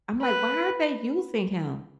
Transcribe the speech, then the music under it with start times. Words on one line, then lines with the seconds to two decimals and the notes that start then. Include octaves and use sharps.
I'm like, "Why aren't they using him?"
0.22 B4